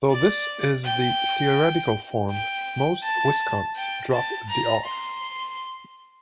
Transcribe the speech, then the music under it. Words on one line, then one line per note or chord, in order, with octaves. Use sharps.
Though this is the theoretical form, most Viscounts drop the "of".
D5
G5
G5
A5
G5
A5
A#5
C6